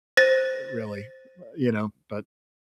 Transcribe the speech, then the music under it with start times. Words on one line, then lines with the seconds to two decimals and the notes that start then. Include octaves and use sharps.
really, uh, you know, but
0.17 C5 A6 A#6 D#7